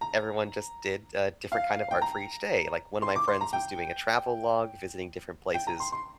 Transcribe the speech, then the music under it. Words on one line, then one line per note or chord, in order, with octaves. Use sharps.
everyone just did a different kind of art for each day. Like, one of my friends was doing a travel log, visiting different places
A#5
F5
G5
A#5
C6
D6
C6
A#5
G5
G5
A#5
C6
C6